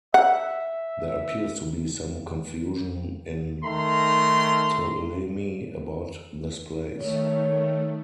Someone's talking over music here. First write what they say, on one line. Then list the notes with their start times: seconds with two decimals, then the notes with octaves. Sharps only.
There appears to be some confusion in Ptolemy about this place.
0.14 E5 F#5
3.64 D#3 A3 A#5 C6
6.98 D#3 A3 C#5